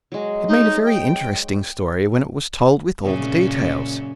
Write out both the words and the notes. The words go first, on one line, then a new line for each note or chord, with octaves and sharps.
It made a very interesting story when it was told with all the details.
F#3 G#3
D#4
G5
F#2 A#2 C#3